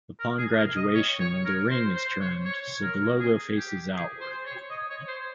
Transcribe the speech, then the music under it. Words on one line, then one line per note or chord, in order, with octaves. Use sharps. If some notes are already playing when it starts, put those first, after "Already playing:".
Upon graduation, the ring is turned so the logo faces outward.
A#4
G#4
A#4
D#5
C#5
C#5
A#4
C5
C5
C#5
C#5
A#4
G#4
G4
G#4
C5
C#5
D#5
C#5
C5